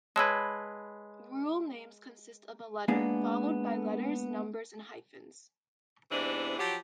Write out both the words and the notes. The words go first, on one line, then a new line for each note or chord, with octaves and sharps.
Rule names consist of a letter followed by letters, numbers, and hyphens.
G#3 B4 C#5 A5 B5 E6 G#6
G#3 A#3 B3 D4 G#4
E2 G#2 C3 E3 D4
F3 F#3 G4